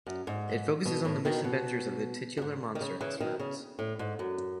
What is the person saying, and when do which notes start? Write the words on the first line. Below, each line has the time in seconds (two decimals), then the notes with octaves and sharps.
It focuses on the misadventures of the titular monster and his friends.
0.06 F#2
0.27 G#2
0.85 B2
1.05 A2
1.25 B2 D#3
1.44 B2
2.37 F#2
2.42 G#2
2.75 D#3
2.81 C#3
3.01 C#3 E3
3.20 B2 D#3
3.39 C#3
3.79 A2
3.99 G#2
4.19 F#2